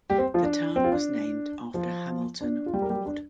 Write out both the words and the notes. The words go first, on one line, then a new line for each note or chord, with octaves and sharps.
The town was named after Hamilton Ward.
G3 G4
C4 C5
F3 F4
D4
C4
F4
D4
F3 F4
D4
F4
G3 G4
A#4
G3 G4
D4